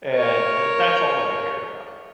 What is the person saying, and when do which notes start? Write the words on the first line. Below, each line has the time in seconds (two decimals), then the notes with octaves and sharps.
And that's all that I cared about.
0.14 A#4 C#5